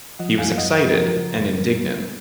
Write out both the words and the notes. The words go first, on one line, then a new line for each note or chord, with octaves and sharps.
He was excited and indignant.
F3 D#5 F#5
F#2 F5 G#5
F#2 D#5 F#5
F3 B4 D#5
F3 F#4 A#4
C#3
F#2